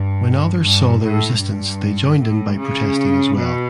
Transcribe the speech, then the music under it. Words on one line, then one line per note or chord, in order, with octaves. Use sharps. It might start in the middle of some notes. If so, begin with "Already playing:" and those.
When others saw their resistance they joined in by protesting as well.
Already playing: G2
G2
A2
G2
A2
C#3
B2